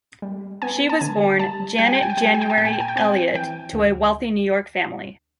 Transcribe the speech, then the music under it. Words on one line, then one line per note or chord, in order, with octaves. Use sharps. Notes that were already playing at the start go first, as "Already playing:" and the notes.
She was born Janet January Elliott to a wealthy New York family.
G3
B3 G#5
A5
D3 G#5
G3 A5
G3 G5
G#5
G5
G#5
G5
G3 G#5
G5
G#5
G5
G#5
A#2 G5
G#5
G5
G#5
G5
C4 G#5
G5
E3 G5
D2